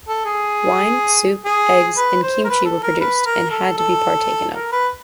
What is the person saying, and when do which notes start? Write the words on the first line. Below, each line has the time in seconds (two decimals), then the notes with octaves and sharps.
Wine, soup, eggs, and kimchi were produced, and had to be partaken of.
0.08 A4
0.26 G#4
1.45 G#4
1.97 B4
2.23 C5
2.44 A#4
2.49 B4
2.65 A4
2.83 A#4
3.01 B4
3.26 A#4
3.51 A4
3.78 A4
4.55 A#4
4.72 B4